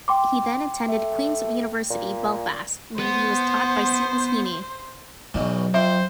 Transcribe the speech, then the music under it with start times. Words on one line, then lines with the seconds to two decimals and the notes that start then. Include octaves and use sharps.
He then attended Queen's University, Belfast, where he was taught by Seamus Heaney.
0.08 G5 C6 D6
0.89 A3
1.90 A#2
2.99 B3 C5
5.34 B1 E2 B2 F#3
5.74 F2 C5 E5